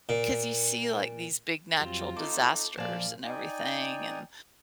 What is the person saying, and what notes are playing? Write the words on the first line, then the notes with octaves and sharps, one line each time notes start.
'cause you see, like these big natural disasters and everything and
A#2
F2 F#3 C4 F4 G4
D#4 A4 D6
A#2 F3 C5 D5 F5 G#5 A5
D#4 D5 G5 G#5